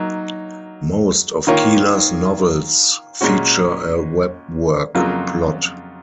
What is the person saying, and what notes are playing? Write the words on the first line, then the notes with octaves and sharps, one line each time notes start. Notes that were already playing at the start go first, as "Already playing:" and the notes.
Most of Keeler's novels feature a webwork plot.
Already playing: F#3 A#3 D#4
D#3 A#3 F4 A#4 C#5
A#2 G#3 C#4 F#4
F2 C#3 F#3 A#3 F4